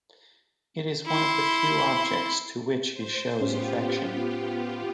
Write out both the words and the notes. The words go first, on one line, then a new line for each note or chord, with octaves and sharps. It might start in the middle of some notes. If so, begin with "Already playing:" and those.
It is one of the few objects to which he shows affection.
E4 C6
C5
A2 B3 C#4 F4 G4 C5